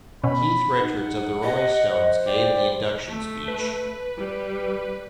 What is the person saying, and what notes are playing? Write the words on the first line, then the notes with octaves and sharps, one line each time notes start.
Keith Richards of the Rolling Stones gave the induction speech.
B2 C#4 B5
D#4 F#5
G4 D#5
C5
G4 D5
A3
B4
G3